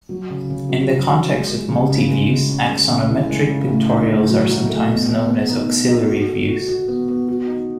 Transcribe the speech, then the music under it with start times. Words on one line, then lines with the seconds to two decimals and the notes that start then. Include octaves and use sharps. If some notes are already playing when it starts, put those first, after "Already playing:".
In the context of multiviews, axonometric pictorials are sometimes known as "auxiliary views".
0.09 F#3
0.30 C#3
0.50 C#3
0.69 F#3
0.90 F#3
1.10 F#3
1.29 G#3
1.50 G#3
1.69 C#3
1.90 C#3
2.09 G#3
2.30 G#3
2.49 C#4
2.68 G#3
2.89 C#3
3.09 E3
3.29 G#3
3.49 C#3
3.69 A2
3.89 D#4
4.09 A2
4.29 F#3
4.49 F#3
4.69 A3
4.88 B2
5.09 B2
5.29 B2
5.49 D#4
5.68 B2
5.88 D#4
6.08 F#4
6.29 A4
6.48 F#4
6.68 F#4
6.88 B3
7.08 B3
7.28 F#4
7.48 D#4